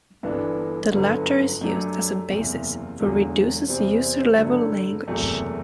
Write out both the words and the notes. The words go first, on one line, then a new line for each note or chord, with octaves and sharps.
The latter is used as a basis for Reduce's user-level language.
G1 G2 E3 B3 D4
G1 F#2 D3 F#3 B3
F#2 F#3 A3 D4 G4
F#1 E2 C3
E1 E2 D3 F#3
E2 C3 G3 C4
G2 D3 F#3 A3
F#1 E2 C3 F#3 A3